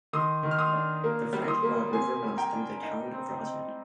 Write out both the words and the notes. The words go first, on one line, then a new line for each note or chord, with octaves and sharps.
The French Broad River runs through the town of Rosman.
D#3 C6 D#6
D#3
F6
C6 D#6
D4
A#3
G3
C6 D#6
A#3
C3 G#5 C6
G3
G5 A#5
D4
D#4
C4
C4